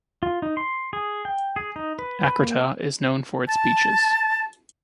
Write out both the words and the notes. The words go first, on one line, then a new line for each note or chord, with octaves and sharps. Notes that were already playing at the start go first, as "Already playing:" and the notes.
Akrata is known for its beaches.
F4
D#4
C6
G#4
G5
G#4
D#4
B4
B4
A#3
A5